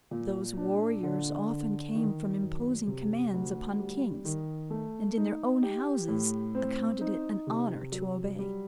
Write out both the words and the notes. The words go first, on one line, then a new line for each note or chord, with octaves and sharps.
Those warriors often came from imposing commands upon kings, and in their own houses accounted it an honor to obey.
A#2
D4
D3
D3
D#3
F#2
C3
D2
G3
D#3
A3
D#4
G4
A2
C4
D#4
C3
F#3
G3